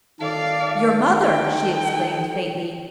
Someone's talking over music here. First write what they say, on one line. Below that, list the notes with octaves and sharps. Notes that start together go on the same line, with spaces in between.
"Your mother!" she exclaimed faintly.
D#3 A4 D5 F5
D#4 G5